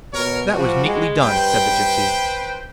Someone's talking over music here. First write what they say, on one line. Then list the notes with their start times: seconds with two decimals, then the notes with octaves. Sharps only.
'That was neatly done,' said the gypsy.
0.13 B2 A#4 C#5
0.53 F3 G3 F#4
0.85 G#3
1.21 G2 B4 C5 G5